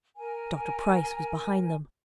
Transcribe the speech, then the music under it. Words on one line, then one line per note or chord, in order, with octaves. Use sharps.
Dr. Price was behind them.
A#4 G#5